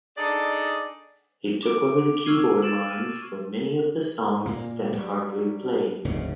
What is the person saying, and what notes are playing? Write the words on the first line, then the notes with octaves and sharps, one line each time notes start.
He took over keyboard lines for many of the songs that Hartley played.
D4 D#4 G#4 A4 D5 D#5
D6 D7
C#6 E6 F6 G#6 C7 D#7
A6 D7 E7 F#7
F6 D#7
A#2 A#3
F#3 G3
F1 D2 G#2 C#3